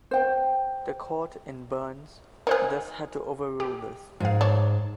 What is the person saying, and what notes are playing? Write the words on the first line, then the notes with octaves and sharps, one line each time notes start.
The Court in "Burns" thus had to overrule this.
C5 G5
D#4 G#4 A#4 C5 F6
G4
G#2 F3 F5
D4 C#5